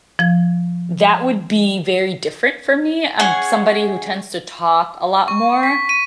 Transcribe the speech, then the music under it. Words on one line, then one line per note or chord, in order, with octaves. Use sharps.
that would be very different for me. I'm somebody who tends to talk a lot more.
F3 G#6
C#4 G#4 F#5 G#5
C#6
B6
D#7